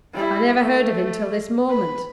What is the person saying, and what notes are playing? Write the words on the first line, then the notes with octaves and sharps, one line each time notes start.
'I never heard of him till this moment.
G3 E4
A3
B4